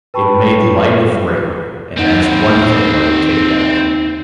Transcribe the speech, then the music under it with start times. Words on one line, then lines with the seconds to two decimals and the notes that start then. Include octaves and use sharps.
It made light of rape, and that's the one thing I would take back.
0.14 B4 G5 A5 B5 C#6
1.98 D#2 C4 D#4 B4 F#5